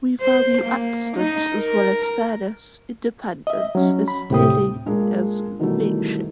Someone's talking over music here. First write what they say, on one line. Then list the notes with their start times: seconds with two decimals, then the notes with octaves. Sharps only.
We value excellence as well as fairness, independence as dearly as mateship.
0.22 C5
0.62 A#3
1.17 D#4
1.55 A#4
3.47 D#5 E5
3.75 F#3 C#4
4.08 B5
4.30 D2 A2 C3 G4 G5 D#6
4.86 A#2 G#3 D4 A#4
5.60 B2 D#3 E3 F#3 G3 A3